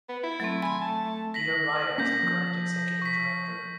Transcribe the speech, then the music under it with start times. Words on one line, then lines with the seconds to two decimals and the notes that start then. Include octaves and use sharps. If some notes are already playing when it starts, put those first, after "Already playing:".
Peter Bleyer is the current Executive Director.
0.09 B3
0.23 E4
0.40 F#3 A3 C4
0.62 G#5 B5 C6
0.82 A5
1.34 A#6 B6 F#7
1.98 A#3 C#4 G6 A#6 B6
2.23 F3
3.02 C#6 B6